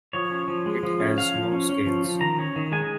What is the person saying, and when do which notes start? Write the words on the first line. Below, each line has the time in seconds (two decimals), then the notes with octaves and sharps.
It has no scales.
0.13 F3 C#5
0.31 C#4
0.48 F3
0.66 G#3
0.83 F3
1.00 C#4
1.17 F3 F5
1.34 F3
1.52 C#4
1.69 C#4
1.87 F3
2.04 F3
2.21 D#3 A#5
2.39 C#4
2.56 D#3
2.72 G#3 G#5